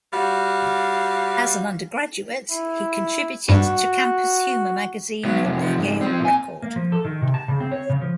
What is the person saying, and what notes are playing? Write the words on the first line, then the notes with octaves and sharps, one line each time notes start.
As an undergraduate, he contributed to campus humor magazine "The Yale Record".
G3 F#4 F5
E4
G2 F#4
F#3 B3
F2 C3
C3 F3
C#2 G#2
F3 C4
A#2 G#5
A#3
F3
A4
D#3
C3
A5
C#3
C4
C#5
C#3
F3